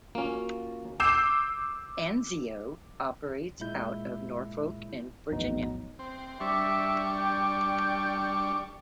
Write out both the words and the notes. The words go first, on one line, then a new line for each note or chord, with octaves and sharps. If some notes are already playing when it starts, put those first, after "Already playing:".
"Anzio" operates out of Norfolk in Virginia.
A#3 C#4 F4 F#4
D6 E6 G6 C7 E7
A#2 G#3 E4 G6
A#1 E2 A2 F#3 B3 D#4
C4
G3 D4 E5 C#6
G5